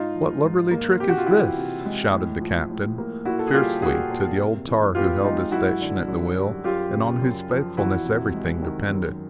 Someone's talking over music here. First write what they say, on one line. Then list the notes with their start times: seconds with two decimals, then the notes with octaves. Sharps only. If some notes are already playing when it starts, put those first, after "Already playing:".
"What lubberly trick is this?" shouted the captain, fiercely, to the old tar who held his station at the wheel, and on whose faithfulness everything depended.
Already playing: G#2 D#4 F4
0.16 F3
0.44 G#2
0.71 A#3
1.00 C3 G4
1.09 F#4
1.18 F4
1.26 E3 E4 F#4
1.56 C3
1.85 G#3
2.13 A2
2.41 F3
2.70 A2
2.98 A#3
3.25 A#2 E4 F#4
3.39 A4
3.48 G#4
3.54 G3 F4 G4
3.82 A#2 F#4 G#4
4.11 A#3
4.39 C3
4.67 E3
4.95 B3 F4 G4
5.23 G#3 D#4 F4
5.51 F#2 E4 F#4
5.81 D3
6.08 F#2
6.37 G3
6.64 F#2 F4 G4
6.93 C#3
7.21 F#2
7.49 F3
7.77 E2 E4 F#4
8.05 C3
8.34 G#3
8.62 D#3
8.90 F#2